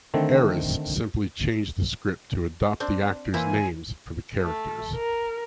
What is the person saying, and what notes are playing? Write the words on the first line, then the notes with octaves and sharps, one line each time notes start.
Erice simply changed the script to adopt the actors names for the characters.
D3 D#3 A3 C4
C4 D4
E3 A#3 C4 E4 G#5
A3
A#4